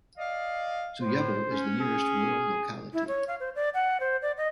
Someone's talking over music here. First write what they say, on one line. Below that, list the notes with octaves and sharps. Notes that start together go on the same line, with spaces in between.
Zuyevo is the nearest rural locality.
D5 D#5 F5
A2 C5
C#4
G#4
E4
C#5
F5
C5
D5
F#5
C5
D5
D#5